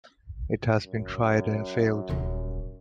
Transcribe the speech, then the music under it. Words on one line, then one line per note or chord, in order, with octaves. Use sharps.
It has been tried and failed.
F#2
D#1 C#4